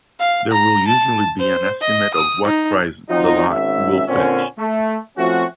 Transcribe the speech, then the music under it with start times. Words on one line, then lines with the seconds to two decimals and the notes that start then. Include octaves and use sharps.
There will usually be an estimate of what price the lot will fetch.
0.20 F5
0.51 A#5
0.88 A5
1.40 C5
1.81 D#5
2.15 D#6
2.46 D#4
3.09 F3 F#3 C4 D#4
3.49 G#1 G#2 C#4 E5
4.07 A#2 D3 C4 C#4
4.58 A3
5.17 F3 A3 C4 C#4 F#4